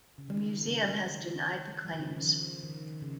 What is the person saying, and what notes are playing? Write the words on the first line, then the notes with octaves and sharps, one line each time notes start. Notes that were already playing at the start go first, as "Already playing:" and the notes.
The museum has denied the claims.
C#3
D#3
C#3
D#3
F3
D#3
C#3
C#3
F3
D#3
C#3